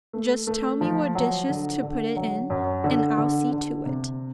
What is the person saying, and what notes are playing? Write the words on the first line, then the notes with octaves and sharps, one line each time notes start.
Just tell me what dishes to put it in, and I'll see to it.
A3
A3
F3
F#3
D3
D3
F#3
F#2
D3
D3
D3
C3